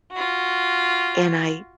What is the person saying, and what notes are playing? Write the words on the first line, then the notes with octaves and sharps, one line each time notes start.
and I
F4 F#4